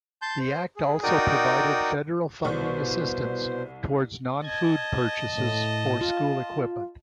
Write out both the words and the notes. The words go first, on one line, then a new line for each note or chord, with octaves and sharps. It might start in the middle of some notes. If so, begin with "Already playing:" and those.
The act also provided Federal funding assistance towards non-food purchases for school equipment.
A5 C6 G6
C5
G#4
D#4 F#4 A#4 D5 G5 D#6
C2 B2 C5 D5 C#6
D#5 A5 G#6
A2
F4